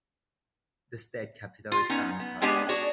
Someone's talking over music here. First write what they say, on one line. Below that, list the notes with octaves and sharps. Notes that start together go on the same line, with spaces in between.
The state capital is San Carlos.
F4
B3 C#4 D#4
B3
G#3 B3 D4 G4 G#4 G#5
D4 F#4 G#4 C#5